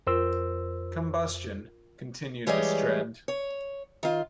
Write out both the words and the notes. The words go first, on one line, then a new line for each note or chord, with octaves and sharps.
"Combustion" continued this trend.
F2 F4 A#4 C5 E6
E3 G3 G#3 G#4 C#5 D#5
C#5
D#3 F4